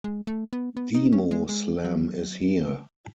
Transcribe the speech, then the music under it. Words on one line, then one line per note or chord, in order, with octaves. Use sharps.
Demo Slam is here!
G#3
A3
B3
B3
D#4
C#4
G#3
G#3
F#3